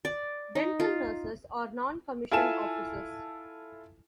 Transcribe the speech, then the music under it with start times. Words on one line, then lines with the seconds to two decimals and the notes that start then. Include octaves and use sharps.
Dental nurses are non-commissioned officers.
0.05 D5
0.55 D#4
0.80 F4
2.31 E4 F4 A4 G#5 A5 E7